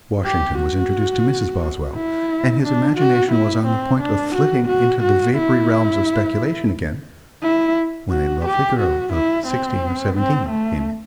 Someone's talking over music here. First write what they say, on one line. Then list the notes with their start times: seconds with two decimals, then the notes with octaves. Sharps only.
Washington was introduced to Mrs. Boswell, and his imagination was on the point of flitting into the vapory realms of speculation again, when a lovely girl of sixteen or seventeen came in.
0.25 G4
0.58 F#4
1.95 E4
2.63 D4
2.97 F#4
3.32 E4
3.66 C4
4.00 D4
4.35 F#4
4.68 F#4
5.03 F#4
5.37 E4
7.42 E4
8.11 F#4
8.45 G4
8.79 F#4
9.13 E4
9.47 C4
10.16 C4
10.50 A3